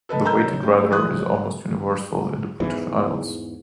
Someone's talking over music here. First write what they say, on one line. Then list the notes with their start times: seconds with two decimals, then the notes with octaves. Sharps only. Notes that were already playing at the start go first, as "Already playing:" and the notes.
The weighted rudder is almost universal in the British Isles.
0.09 A4 B4 D#5 A5
0.25 A#4 D#5 A#5 E6 G6
0.44 F#1 D#4
0.63 G3 A3 C#4
0.90 E3 A3 G#4 D#6 F#6
1.17 E1 B1
2.60 E2 G#2 E3